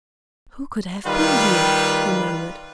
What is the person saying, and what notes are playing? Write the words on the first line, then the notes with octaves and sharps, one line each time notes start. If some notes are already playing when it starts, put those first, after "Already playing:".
"Who could have been here?" he murmured.
D#3 G3 F4 B4